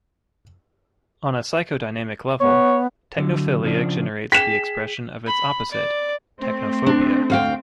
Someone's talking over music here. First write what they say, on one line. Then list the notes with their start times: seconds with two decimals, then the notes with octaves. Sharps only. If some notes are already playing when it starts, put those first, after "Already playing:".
On a psychodynamic level, technophilia generates the expression of its opposite, technophobia.
2.40 B3 C#5
3.18 D3 F#3
3.63 C#3 F3 D4
4.32 G#4 G5 B6 E7
5.26 B5
5.71 D5
6.40 A3 C4
6.86 D4
7.30 D2 F5 G5